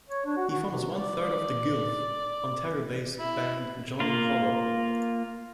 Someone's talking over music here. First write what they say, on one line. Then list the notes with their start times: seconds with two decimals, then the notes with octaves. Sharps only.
He forms one third of the Guelph, Ontario based band Johnny Hollow.
0.09 C#5
0.26 D4
0.37 F#4
0.50 F#4
0.71 C3
0.97 D5
3.19 E4
4.00 A#3 F4